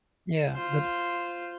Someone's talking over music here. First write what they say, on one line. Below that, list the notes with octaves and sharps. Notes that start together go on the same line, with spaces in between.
Yeah. The b
F4 C5